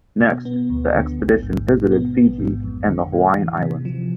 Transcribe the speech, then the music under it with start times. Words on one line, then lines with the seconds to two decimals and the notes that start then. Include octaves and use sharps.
Next the expedition visited Fiji and the Hawaiian Islands.
0.20 B2
0.45 B3
0.70 D2
0.94 D3
1.19 A1
1.43 G#2
1.67 B2
1.92 B3
2.16 A1
2.39 G#2
2.64 F2
2.88 D3
3.13 A2
3.37 E3
3.62 C3
3.85 F3